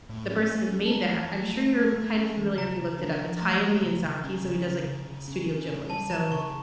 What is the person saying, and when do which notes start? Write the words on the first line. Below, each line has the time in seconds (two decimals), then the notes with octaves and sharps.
the person who made that, I'm sure you're kind of familiar if you looked it up, it's Hayao Miyazaki, so he does, like, Studio Ghibli, so, like,
0.09 A2
0.30 C#4
0.50 C#4
0.71 G3
0.86 A5
0.92 A3 A#5
1.13 E3
1.34 A3
1.54 A3
1.75 A3
1.96 A3
2.17 C#4
2.37 E3
2.58 C#3 A#5
2.79 C#3
2.99 D4
3.20 F3
3.41 A3 A#5
3.61 A3
3.82 C#3
4.03 C#3
4.24 C#4
4.45 C#3
4.66 C#3
4.86 C#3
5.07 C#3
5.28 C#4
5.48 C#4
5.69 C#3
5.90 G3 A5
6.11 E3 A#5
6.31 C#3 C#6